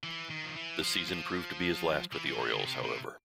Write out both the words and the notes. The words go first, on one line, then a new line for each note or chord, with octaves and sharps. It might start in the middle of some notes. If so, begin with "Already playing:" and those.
The season proved to be his last with the Orioles, however.
E3
D#3
F3
E3
F3
F3
E3
E3
D#3
C#3
C3
C3